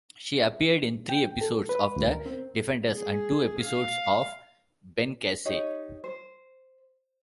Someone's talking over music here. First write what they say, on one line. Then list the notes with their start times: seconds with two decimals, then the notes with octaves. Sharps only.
She appeared in three episodes of "The Defenders" and two episodes of "Ben Casey".
1.09 G5
1.41 A4
1.69 B4
1.96 D2
2.11 A#4
2.26 C4
2.94 G#4
3.59 F5
5.45 D#4 G4 C#5 D#5
6.04 C5